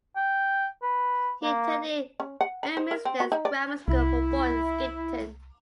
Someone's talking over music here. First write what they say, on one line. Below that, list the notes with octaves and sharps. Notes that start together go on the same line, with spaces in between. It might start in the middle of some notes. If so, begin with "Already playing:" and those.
He attended Ermysted's Grammar School for boys in Skipton.
G5
B4
A#3
C#4
F#5
B5
C5
A#4
C4
F#4
D#4
D5
C2 E4